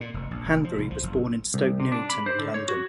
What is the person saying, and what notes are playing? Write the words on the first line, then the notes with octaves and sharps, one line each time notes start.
Hanbury was born in Stoke Newington in London.
A#2
F1
A#1
F1
F3
C2
F3
F#1
C2
C3
D4
B5
C5
D3
C#5
F#4